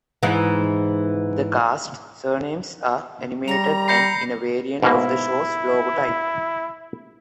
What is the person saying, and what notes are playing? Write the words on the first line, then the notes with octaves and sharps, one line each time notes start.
The cast's surnames are animated and in a variant of the show's logotype.
G#2 E3
G3 A#5 A#6 F7
B5 G6 A#6 C7 C#7
G#2 B2 A#3 E4